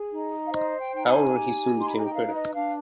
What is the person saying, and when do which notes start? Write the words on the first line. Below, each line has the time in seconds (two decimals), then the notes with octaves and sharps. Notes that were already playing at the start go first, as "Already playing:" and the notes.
However, he soon became a critic.
Already playing: G#4
0.13 D#4
0.45 F5
0.53 C5 D#5
0.80 G5
0.93 D#4 G5
1.06 G#5
1.34 G4
1.74 D#4
1.81 C6
1.88 B5
1.97 G#5
2.05 G5
2.14 B4 F5
2.34 D#5
2.54 D4 F5